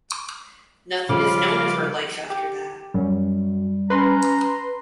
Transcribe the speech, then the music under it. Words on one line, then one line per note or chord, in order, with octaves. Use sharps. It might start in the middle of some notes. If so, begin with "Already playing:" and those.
Nothing is known of her life after that.
C#3 F3 G3 F4 B5 D6
G4
F#2 G3
C#4 B4 A#5 C6